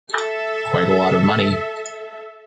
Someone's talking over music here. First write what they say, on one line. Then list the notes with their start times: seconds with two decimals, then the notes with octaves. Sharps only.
Quite a lot of money.
0.12 A4 E5